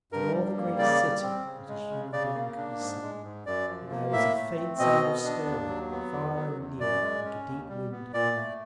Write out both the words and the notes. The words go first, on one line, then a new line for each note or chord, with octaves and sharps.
In all the great city not a human being could be seen; but there was a faint sound of stirring, far and near, like a deep wind coming.
G2 A#4
G3
A#3
C#3 D5
G3
C4
C#3
G#3
C#3
C#3 D5
A#3
D4
G#2
G#3
G#2
F#2 D5
F3
A#3
A2 E5
A3
C4
B2 D#5
B3
D4
D#2
F#3
B3
E2
F#3
E2
F#2 D5
G#3
C#4
D#2
G3
B3
A#2 D5
A3